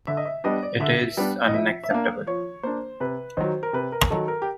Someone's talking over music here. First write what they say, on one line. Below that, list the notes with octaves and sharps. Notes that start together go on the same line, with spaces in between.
It is unacceptable.
D3 E5
D#5
E5
G3 B3 D4 D#5
D5
D3 E5
G3 B3 D4
D#5
F3 E5
E5
A#3 D4 F5
F3 C#5
A#3 D4 C5
C3 B4
D#3 F#3 C5
A#4
C3 B4
A#4
D#3 F#3 A4
A#4
G4